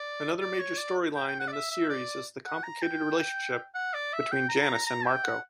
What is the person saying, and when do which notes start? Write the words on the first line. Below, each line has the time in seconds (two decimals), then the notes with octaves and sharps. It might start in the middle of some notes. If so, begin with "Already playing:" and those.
Another major storyline in this series is the complicated relationship between Janis and Marco.
Already playing: D5
0.40 D5
0.59 C#5
0.77 D5
1.15 G5
1.27 G5
1.40 F#5
1.48 D5
1.52 E5
1.71 E5
1.89 D5
2.46 F#5
2.63 A#5
2.82 G5
3.75 F#5
3.94 D5
4.13 E5
4.31 G5
4.49 A#5
4.61 A#5
4.75 A#5
4.86 A#5
5.05 G5
5.24 F#5